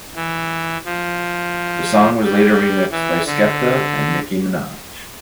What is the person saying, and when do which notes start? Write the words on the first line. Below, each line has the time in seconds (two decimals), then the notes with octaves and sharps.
The song was later remixed by Skepta and Nicki Minaj.
0.15 E3
0.85 F3
2.23 G3
2.91 E3
3.26 D3